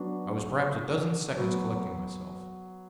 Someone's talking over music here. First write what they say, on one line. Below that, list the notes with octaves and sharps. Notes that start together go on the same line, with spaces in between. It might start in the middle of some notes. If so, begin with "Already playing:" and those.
I was perhaps a dozen seconds collecting myself.
Already playing: F#3 B3 D4 F#4
F#3 B3 F#4